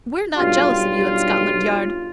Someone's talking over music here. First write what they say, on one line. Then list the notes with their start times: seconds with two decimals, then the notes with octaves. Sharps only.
We're not jealous of you at Scotland Yard.
0.37 B1 G2 G3 F4